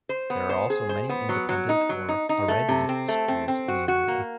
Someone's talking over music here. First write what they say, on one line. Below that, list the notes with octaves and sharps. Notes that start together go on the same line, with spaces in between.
There are also many independent or Haredi schools in the area.
C5
B3
C5
G#4
C5
B3
F#3
F#3
D#4
F#3
D#4
D#4
A3
C3
C4
A3
C4
C4
F#4
F#4
A#3